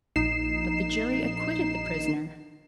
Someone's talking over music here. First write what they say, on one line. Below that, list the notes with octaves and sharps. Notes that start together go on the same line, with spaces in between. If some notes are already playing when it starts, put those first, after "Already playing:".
But the jury acquitted the prisoner.
A#1 D#4 C7 E7